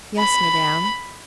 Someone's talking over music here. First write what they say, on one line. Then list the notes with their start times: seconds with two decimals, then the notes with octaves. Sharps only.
"Yes, Madame."
0.18 B5